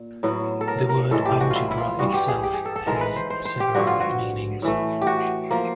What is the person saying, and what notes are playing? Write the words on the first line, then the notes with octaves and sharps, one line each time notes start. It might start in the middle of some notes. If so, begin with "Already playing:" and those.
The word "algebra" itself has several meanings.
Already playing: A#2
A2 F#3 B3
A4
A#4
A#4
A2 E3 G#3 A4
G4
F#4
F4
E4
E4
F4
G2 E3 G3 F#4
G4
G#4
G4
G#4
A4
A4
G#2 E3 G#3 A#4
B4
C5
C5
C5
G4
G2 D3 F3 F#4
F4
F#4
A2 E3 A3
G4
F#4
F3 A#3